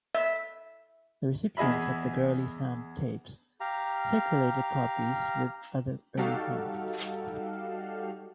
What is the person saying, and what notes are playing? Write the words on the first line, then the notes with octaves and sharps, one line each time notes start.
The recipients of the Girly-Sound tapes circulated copies with other early fans.
E5
E2 G#4 D#5 E5 B5
G4 F5 A#5
G3 D#4 F#4 G4 A4 F5